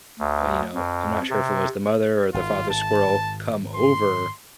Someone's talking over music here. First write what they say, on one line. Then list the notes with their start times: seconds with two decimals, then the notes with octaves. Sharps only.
b you know, I'm not sure if it was the mother or the father squirrel come over
0.19 D2
0.75 F2
1.30 C3
2.34 G#1 F4
2.70 A5
3.75 C6